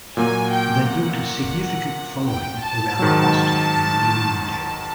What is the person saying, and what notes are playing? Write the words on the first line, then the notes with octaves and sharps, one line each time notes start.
They built a significant following around Boston and the New England area.
A#2 F#3 A#3 G#5
G5
F#5
G5
A5
G#2 D#3 F#3
A5